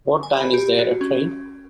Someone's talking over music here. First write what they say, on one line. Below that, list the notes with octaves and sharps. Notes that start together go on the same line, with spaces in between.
What time is there a train?
G#5
B5
G4
F#4
C#4